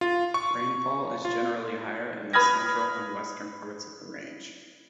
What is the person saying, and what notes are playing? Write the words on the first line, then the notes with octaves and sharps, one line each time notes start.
Rainfall is generally higher in the central and western parts of the range.
F4
C#6
F4
B4 B5 D#6 F6 G#6 A#6